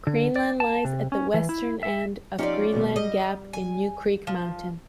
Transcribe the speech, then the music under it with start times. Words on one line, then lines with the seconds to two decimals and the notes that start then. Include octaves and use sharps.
Greenland lies at the western end of Greenland Gap in New Creek Mountain.
0.07 D3
0.36 D5
0.60 A5
0.85 C3
1.12 C#4
1.34 E3
1.49 E4
1.83 E5
2.39 F3 C#4 D#4 F4 G4 D5
2.72 D#2 B2 G3
2.96 G3 D#5
3.53 G#5
4.27 F3